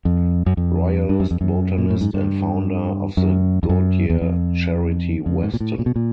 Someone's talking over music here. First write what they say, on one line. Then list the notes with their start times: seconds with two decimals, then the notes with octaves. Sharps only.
Royalist, Botanist, and founder of the Goodyer Charity Weston.
0.05 F2
0.46 F#2
0.57 F2
1.09 G2
1.20 F#2
1.31 F2
1.41 F#2
1.78 A#2
1.90 A2
2.01 G#2
2.14 G2
3.17 F#2
3.63 F2
3.69 F#2
4.10 E2
4.21 F2
5.26 F2
5.43 G#2
5.54 A#2
5.60 A2
5.79 A#2
5.86 B2
5.96 A#2